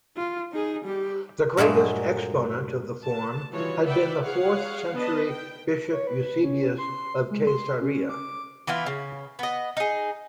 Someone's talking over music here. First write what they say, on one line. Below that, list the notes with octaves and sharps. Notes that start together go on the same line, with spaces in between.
The greatest exponent of the form had been the fourth-century bishop Eusebius of Caesarea.
F4
D#4 G#4
G3 G4
G2 A#2 F#3 G#3 A3
A5
D#3 E3 G3 F4 F#4 C#5
B4 D5 E5 F#5 G5
G#4 C#5 F5 F#5
B3 D4 B4 D#5 A5
G5
C#5
B4
C#4
C6
G#3
C6
C#4
D6
E3 B3 E4 F4
C#3
B3 D#5
D#4 G#4